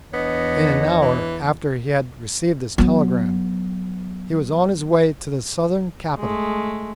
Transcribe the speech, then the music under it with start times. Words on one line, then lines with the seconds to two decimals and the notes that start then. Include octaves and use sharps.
In an hour after he had received his telegram he was on his way to the Southern capital.
0.14 E2 B3 D4 C#5 D#5
1.02 E3
2.78 F#3 B3
6.18 G#3 A3